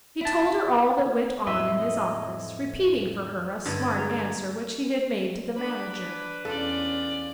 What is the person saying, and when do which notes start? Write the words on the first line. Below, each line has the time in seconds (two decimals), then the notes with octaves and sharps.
He told her all that went on in his office, repeating for her a smart answer which he had made to the manager.
0.21 E4 A5
1.47 F2 A2 D#5 E5
3.66 G2 D3 G#6 A6
3.97 G3 G#3 G#4 A#5
5.56 D4 B4 B5
6.45 E2 C#4 F4 A4 D5